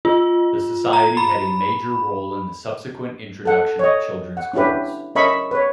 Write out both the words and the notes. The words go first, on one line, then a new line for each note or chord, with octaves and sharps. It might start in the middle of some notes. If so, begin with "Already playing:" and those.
The society had a major role in the subsequent introduction of children's courts.
F4
A#5
B5
A4 F#5
C#5 D#5
F#5
C#4 D4 E4 G4 B4
C#4 A#4 D#5 E5 B5 C#6
B4 C#5